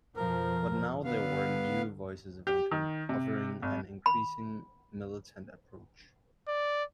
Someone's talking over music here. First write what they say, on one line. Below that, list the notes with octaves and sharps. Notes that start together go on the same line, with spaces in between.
But now there were new voices around him, offering an increasing militant approach.
F2 B2 F3 A#4
D3 B3 F5
G4
D#3
C3
G#1
B5
D5